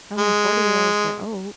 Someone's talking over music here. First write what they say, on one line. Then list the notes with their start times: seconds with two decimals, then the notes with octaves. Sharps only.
telling forty-year-olds they're old.
0.18 G#3